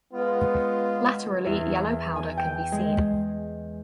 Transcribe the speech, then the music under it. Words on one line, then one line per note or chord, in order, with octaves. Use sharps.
Laterally yellow powder can be seen.
G#3 B3 F4
E2
G#5
G5
G#3